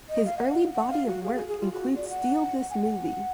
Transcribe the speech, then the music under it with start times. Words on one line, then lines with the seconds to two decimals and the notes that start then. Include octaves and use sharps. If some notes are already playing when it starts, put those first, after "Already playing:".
His early body of work includes Steal This Movie!
0.09 D#5
0.25 F5
0.38 F#5
0.49 F#5
0.74 F#5
0.90 F5
1.06 F#4
1.23 G#4
1.35 G#4
1.48 G#4
1.60 F4
1.72 F#4
1.96 D5
2.09 F#5
2.70 G#5
2.74 F#5